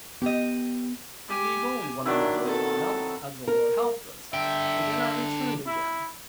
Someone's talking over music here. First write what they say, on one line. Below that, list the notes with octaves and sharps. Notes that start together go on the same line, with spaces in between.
We bemoaned one another a while, as the Lord helped us, and then I returned again.
B3 G4 D#5
G4 G#5
D#3 F#3 D4 E4 D5
C4 A4
A#4
D3 E5 G5
E4